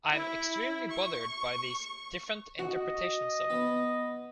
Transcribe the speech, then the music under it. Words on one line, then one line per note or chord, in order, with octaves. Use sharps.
I'm extremely bothered by these different interpretations of it.
E4
C#6
F#4 D#5
B3